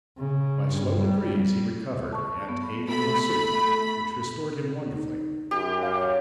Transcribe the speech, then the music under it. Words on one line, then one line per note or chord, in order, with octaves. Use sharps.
By slow degrees he recovered and ate a little soup, which restored him wonderfully.
C#3
G2
G3
A5 C#6
B3
A3 B3 B5
D#4
F#2 G4
C#5 F5